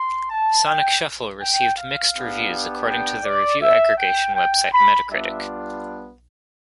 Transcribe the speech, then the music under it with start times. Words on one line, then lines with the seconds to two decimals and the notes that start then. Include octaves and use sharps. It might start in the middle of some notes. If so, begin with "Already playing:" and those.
"Sonic Shuffle" received "mixed" reviews according to the review aggregation website Metacritic.
Already playing: C6
0.29 A5
0.66 G5
1.40 G5
1.77 F5
2.14 B3 D4 G4
2.87 G5
3.24 D5
3.62 E5
3.98 G5
4.35 G5
4.72 B5
5.09 G3 B3 D4 F4 E5